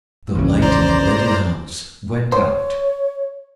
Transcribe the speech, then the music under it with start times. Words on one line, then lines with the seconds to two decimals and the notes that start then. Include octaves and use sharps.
The light in the little house went out.
0.35 A#1 E2 C#3
0.62 C5 D5 A#5
2.32 C5 C#5